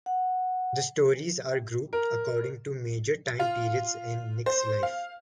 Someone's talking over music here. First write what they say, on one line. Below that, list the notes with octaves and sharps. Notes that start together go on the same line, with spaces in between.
The stories are grouped according to major time periods in Nick's life.
F#5
A#4
F4
C5
F5